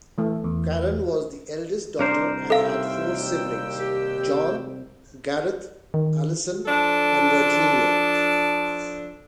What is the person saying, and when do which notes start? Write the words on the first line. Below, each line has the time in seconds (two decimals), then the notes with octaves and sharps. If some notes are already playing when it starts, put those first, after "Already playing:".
Karen was the eldest daughter and had four siblings: Jon, Gareth, Alison and Virginia.
0.18 E3 A3
0.44 E2
1.99 C2 D4 A#4 C5
2.50 D#2 A4 E5 F5 G5 E6
3.80 G4
5.94 D#3
6.66 F3 D4 A4